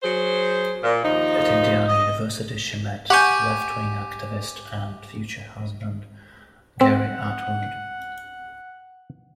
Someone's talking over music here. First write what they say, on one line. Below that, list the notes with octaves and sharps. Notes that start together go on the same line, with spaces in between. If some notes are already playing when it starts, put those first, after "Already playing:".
At Indiana University she met leftwing activist and future husband Gary Atwood.
F#3 G#4 C5
A#2
D#2 F3 D#4
D#5
G4 F#5 G#5 C#6 G6
C4 F#5